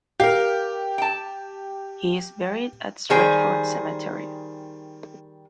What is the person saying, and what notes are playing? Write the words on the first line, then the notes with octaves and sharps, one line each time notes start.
He is buried at Stretford Cemetery.
G4 A#4 F5
G5 A5
D#3 G3 G#4 C5